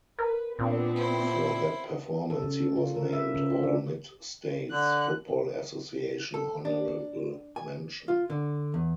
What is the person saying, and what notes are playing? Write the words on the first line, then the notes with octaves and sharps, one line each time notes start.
For that performance, he was named All-Mid-States Football Association honorable mention.
A#4 B4
A#2 B3 C4 D4
E4 C5
A4
C#3
C#4
F4
A#4
E5
C#3
F4
D4
D3 F#6
A4
D4
G#5
F4
D3
E2